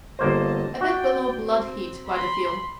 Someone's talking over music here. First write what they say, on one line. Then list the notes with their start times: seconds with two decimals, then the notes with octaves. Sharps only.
A bit below blood-heat by the feel.
0.19 G1 A#3 C5 D#5 A5
0.81 F#4 D5 G5
1.41 C4
2.05 B5 C6